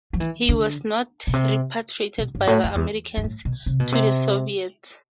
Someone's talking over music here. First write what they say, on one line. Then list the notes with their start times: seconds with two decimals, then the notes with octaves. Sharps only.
He was not repatriated by the Americans to the Soviets.
0.13 F3
0.20 E3
0.49 D3
1.27 B2
1.33 C3
2.18 B2
2.35 G2
2.47 A2
2.64 F2
2.75 E2
3.17 G2
3.24 A2
3.45 B2
3.66 C3
3.80 B2
3.92 C3